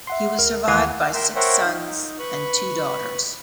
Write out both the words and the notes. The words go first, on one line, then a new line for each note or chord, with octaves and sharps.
He was survived by six sons and two daughters.
E5 F#5 C6
D2 A#4
D#2 E3 A#4 F5 F#5 G#5 D#6
A#4 E5 G5 C6 E6
A#4 C5 C#5 E5 F#5 G5
D#4
B4 B5 C#6